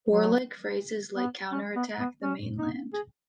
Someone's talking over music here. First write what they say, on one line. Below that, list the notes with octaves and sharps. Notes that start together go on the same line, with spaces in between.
Warlike phrases like Counterattack the mainland!
F#3
B3
C#4
B3
B3
C#4
D#4
G#4